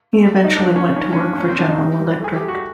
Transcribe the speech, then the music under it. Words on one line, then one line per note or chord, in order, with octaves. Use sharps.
He eventually went to work for General Electric.
A3
A3
D#4
A#3 D4
A#3 C#4
D#3 C#4
C#4
A#3 D4
A#2 C#4
C4
F#3 D4
D#4
C3
G3
A3 G#4
G4
A3
F#4